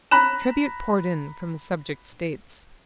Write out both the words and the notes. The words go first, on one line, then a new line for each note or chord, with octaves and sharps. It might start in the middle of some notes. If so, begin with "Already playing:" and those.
Tribute poured in from the subject States.
A#5 B5 F#6 E7